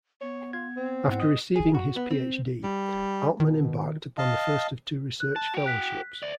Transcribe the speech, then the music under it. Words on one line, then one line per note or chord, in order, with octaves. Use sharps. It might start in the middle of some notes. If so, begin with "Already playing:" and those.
After receiving his Ph.D., Altman embarked upon the first of two research fellowships.
B3 C#5
F4 G#6
C4
G#2 E4 F#5
D#5 D#6
G#4
F#4
B3
C4
G3
B2 D#3
D#5 F5 A5
F#6
A5
F#4 G5
F#6 B6
D5 E5